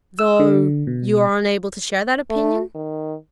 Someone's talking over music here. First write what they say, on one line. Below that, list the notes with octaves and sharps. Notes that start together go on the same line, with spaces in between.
"Though you are unable to share that opinion?"
E6
D3
B2
A3
D#3